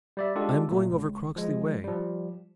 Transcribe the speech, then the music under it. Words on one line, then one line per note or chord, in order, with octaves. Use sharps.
"I am going over Croxley way."
G3 D5 E5
G#3 D4 F4 G4 A4
A#2 A3
C#2
F3 G#3
F3 G3